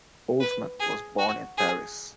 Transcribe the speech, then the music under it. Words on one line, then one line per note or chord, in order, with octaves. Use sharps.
Holzman was born in Paris.
B4
G#4
F#4
G#4